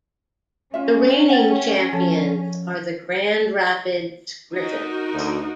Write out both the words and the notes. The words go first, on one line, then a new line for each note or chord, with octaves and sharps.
The reigning champions are the Grand Rapids Griffins.
C#4 F4 E5
F#5 G5 A6
F3 A4
D#4 F#4 A#4
D2